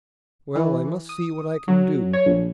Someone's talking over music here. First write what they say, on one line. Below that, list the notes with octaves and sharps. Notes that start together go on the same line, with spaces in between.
Well, I must see what I can do.
E3
D#6
F#3
C#5
A#1